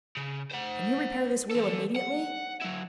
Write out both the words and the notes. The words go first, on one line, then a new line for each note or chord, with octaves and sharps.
"Can you repair this wheel immediately?"
C#3
C5 F#5
E3 A4
F#5
F#3 E4